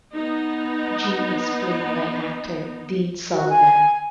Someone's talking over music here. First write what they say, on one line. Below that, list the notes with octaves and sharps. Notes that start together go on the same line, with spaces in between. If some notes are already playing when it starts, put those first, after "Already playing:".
Jimmy is played by actor Dean Sullivan.
B3 D#4
F#4
G#5